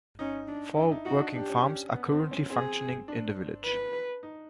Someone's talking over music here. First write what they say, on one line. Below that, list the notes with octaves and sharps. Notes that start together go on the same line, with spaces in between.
Four working farms are currently functioning in the village.
C#4 D#4
D4
D4 E4
D#4
D#4 F#4
D4
D4 G4
C#4
C#4
B3
C4
C#4
C4 G#4
D4
B4
D#4